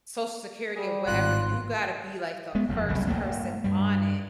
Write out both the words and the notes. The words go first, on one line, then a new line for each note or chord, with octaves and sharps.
Social Security or whatever, you gotta be like the first person on it,
G3 G#4
G#1 F4 F#6
G#3 B3
F#1 E2 C#3
F#1 C2 C#3
G1 E2 A3 A#3
G2 G3